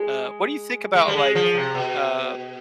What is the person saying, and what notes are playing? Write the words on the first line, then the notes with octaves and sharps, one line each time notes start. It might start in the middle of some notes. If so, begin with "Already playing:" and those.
Uh, what do you think about, like, uh,
Already playing: G#3
G#3
G3
G#3
F3
C3
B2